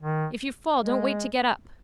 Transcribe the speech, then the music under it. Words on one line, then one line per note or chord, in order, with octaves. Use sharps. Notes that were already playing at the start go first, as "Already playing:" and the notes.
If you fall don't wait to get up.
D#3
G#3